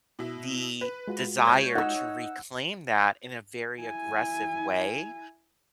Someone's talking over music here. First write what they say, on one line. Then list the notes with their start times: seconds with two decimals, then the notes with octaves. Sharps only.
the desire to reclaim that in a very aggressive way.
0.19 B2 E4
0.81 B4
1.08 G#3 F4 F#4
1.45 C#5 G6 G#6
1.75 D#4 F#5 E6
3.80 E4 G#5